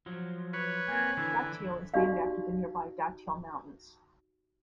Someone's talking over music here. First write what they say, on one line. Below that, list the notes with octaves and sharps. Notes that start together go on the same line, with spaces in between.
Datil is named after the nearby Datil Mountains.
F3 F#3
B4 C#5
A#3 C4 G#5
D3 E3
D#4 F#4 G4 D5 F5